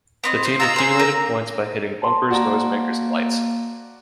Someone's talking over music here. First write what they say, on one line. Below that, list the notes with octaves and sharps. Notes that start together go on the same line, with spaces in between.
The team accumulated points by hitting bumpers, noisemakers, and lights.
B3 C4 D#5
C5
F4 A4 D#5 A#5 E6
G#4 C5
A#3
A5 C6
A#3 F#4 D5 A#5